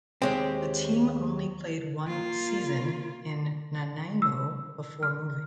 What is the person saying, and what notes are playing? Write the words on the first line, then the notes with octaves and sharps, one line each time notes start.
The team only played one season in Nanaimo before moving.
D#2 G#3 C4 G4 C#5
A#3 F4
E6
F6